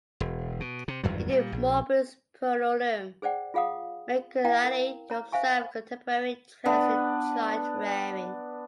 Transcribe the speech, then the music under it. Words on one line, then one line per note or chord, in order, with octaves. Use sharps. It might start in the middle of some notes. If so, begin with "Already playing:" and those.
In "De morbis puerorum", Mercuriali observed contemporary trends in child-rearing.
E1
B2
C3
G#1 E2 G2 F#3
A#2 G3
A#1
G#4 C5 D5 F#5 G5
F4 G#4 F5 F#5 D#6
E4 F5 G5 A#5
A#4
C#5 A#5
C5 E5 F5 G#5 C#6
B3 D4